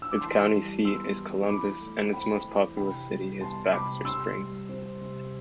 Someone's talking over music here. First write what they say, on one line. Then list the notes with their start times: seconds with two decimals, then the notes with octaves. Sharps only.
Its county seat is Columbus, and its most populous city is Baxter Springs.
0.02 E6
0.11 D6
0.21 E3 A5 C6
0.53 G3
0.85 B3 C6 E6
1.17 E3
1.49 E3 B5 D6
1.81 A3
2.13 C4 G5 B5
2.45 E3
2.77 C3 G5 B5
3.09 G3
3.41 B3 A5 C6
3.73 C3 B5 D6
4.05 C3 C6 E6
4.37 G3
4.69 C4
5.01 C3